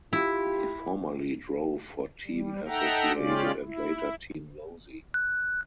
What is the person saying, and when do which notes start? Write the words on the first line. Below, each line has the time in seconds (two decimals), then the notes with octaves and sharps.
He formerly drove for Team Associated and later Team Losi.
0.13 E4 F4 G4
2.26 G3
2.67 D#4 A4 E5 F#5 G5 A#5
3.14 C#3 G#3 C#4 F4 G4 D5
3.62 E4
5.14 F#6